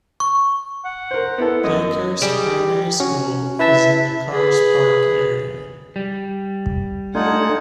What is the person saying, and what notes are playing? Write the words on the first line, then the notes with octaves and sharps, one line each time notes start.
Blakehurst Primary School is in the Carss Park area.
C#6
F#5
A#4 C5
B3 E4 A4
F#2 D#5
G3 G#4
C#4 F#4
E4 B4 E5 A5
G#4 B4
G3
A3 D4 D#4 F4 F#5 G#5 A5